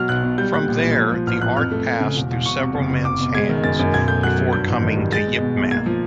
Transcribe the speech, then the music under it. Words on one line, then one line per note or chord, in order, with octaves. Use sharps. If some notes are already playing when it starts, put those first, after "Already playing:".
From there, the art passed through several men's hands before coming to Yip Man.
Already playing: B2 F#3 F6
B1 F#6
B2
G3 G6
A#2 F#6
A#1
A#2
F3
F3
A1 F6
A1 F#6
F2 F6
A3
F2
C#3
E1
E1
E1 C#6
C3
F#1
F#1
F#1 D6
B2
G#3 G#6
D#3
F#2 A6
F#2
B1 G#6
A3 G6
F#3 F#6
F#3
G2 G6
A1
D#3
G3
G#3 A6
B2
B2
B1
A#3 G#6
F3